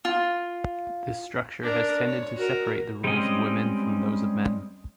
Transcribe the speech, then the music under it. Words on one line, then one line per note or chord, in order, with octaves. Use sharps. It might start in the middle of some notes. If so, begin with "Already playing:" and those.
This structure has tended to separate the roles of women from those of men.
F4
D4 A#4
C#5
F#4 A#4
G3 G#3 C4 C#4 D#5